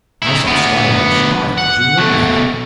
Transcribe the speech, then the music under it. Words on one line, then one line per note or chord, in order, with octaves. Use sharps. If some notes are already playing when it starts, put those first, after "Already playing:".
I saw Starlight start as he looked at her.
D#3 E4
D2 B3
F#5
B2 A3